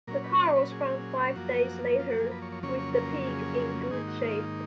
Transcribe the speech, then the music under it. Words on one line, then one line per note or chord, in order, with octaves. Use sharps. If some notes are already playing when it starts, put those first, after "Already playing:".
The car was found five days later, with the pig in good shape.
A#2 F#3 C#4 A#4
B4
C#5
B4
G#4
F#2 F3 A#3 F#4
F4
F#4
G#4
B4
C#5
C#5
F2 C#3 F#3 A#3 C#4 C#5
C#5
A#4
G#4
G#2 D#3 A#3 D#4 G#4
F#4
F4